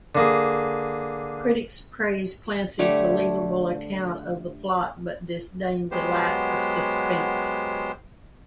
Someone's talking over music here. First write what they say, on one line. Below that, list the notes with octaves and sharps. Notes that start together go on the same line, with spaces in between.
Critics praised Clancy's believable account of the plot, but disdained the lack of suspense.
D3 A#3 G#4
D3 G3 A3 C#5
F#3 G#3 B3 G4 C5